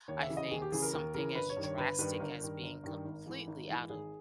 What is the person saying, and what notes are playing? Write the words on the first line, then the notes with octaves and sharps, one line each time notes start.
I think something as drastic as being completely out of
D#2 C#5
E5
C#3 E3
D#5
D#2 G#4
G4
C#3 E3 G#4
A#4
D#2 A#4
C#3 E3 A#4
G1 B4
C#5
G2 D#3
C#5
G1 B4
G2 D#3 B4
G1 A#4
G2 D#3
G1
G2 D#3
G#1
G#2 E3
G#1
G#2 E3
G#1 G#4